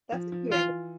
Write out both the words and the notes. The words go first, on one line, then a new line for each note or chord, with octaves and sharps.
That's a few egg w
F3
F3
E3 F4